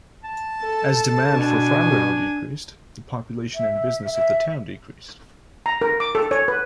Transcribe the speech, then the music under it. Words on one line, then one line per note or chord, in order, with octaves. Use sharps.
As demand for farm labor decreased, the population and business of the town decreased.
A5
A4
B2 D4 G#5
E5
E5
A#5
A#4
D6
A4
C#5
B4